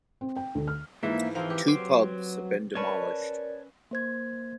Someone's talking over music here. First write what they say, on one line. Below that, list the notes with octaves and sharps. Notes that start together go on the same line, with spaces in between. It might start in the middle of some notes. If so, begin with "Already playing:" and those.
Two pubs have been demolished.
C4
G5
D2
F6
G#2 E3 F3 A#3 E5
E3 F3 C4 G#4 A#4 F5
G4 B4
F#3 C6 D6
C#4 A#4 B4 C#5 D5 A5 C#6
A#3 C5 G#6